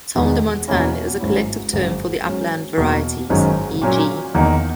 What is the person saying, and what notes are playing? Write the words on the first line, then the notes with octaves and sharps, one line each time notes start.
Tomme de Montagne is a collective term for the upland varieties, e.g.
E1 E2 D#3 G#3
E2 B2 A#3 C#4 E4
G#1 G#2 F#3 C#4 E4
G#1 F#2 C#3
G#2 F#3 C#4
E2 B2 A#3
G#1 F#2 D#3 G#3 C#4
A#2 F#3 A#3 C#4
E2 D#3 A#3 D#4